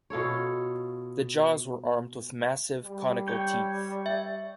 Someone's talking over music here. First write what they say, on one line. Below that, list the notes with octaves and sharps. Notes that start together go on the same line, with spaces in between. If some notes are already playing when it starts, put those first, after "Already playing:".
The jaws were armed with massive conical teeth.
B2 F4 A4 C#5
G3
C#5 G5
E5